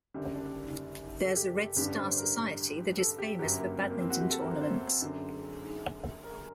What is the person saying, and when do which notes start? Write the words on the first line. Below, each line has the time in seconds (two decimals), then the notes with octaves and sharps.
There's a Red Star Society that is famous for Badminton tournaments.
0.14 F#1 F#2 D3 G3
0.34 D4
1.24 A4
1.36 G4
1.57 G4
1.76 A1 G2 D3 G3 G4
1.97 C5
2.18 A#4
2.98 A4
3.19 G4
3.39 G1 F#2 F#3 G4
3.59 A#3
3.80 C4
3.90 A#3
4.00 C4
4.10 F#4
4.20 G4
4.31 A4
4.41 A#4
4.51 C5
4.61 C5
5.02 F#2 D3 F#3
6.24 A#4